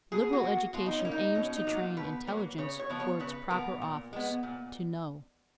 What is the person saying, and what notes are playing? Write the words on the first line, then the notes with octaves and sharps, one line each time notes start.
Liberal education aims to train intelligence for its proper office: to know.
B2 G#4
F#4
A#3
B2 F4
D#4
C#4
A#3
D#4
B2 C#4
D#4
F#3 A#3
F4
B2 B4
F#3 A#3
C#3 C#5
C#5
F3 B3
C#5
C#3 B4
F3 B3 A#4
A#2
G#3 B3
A#2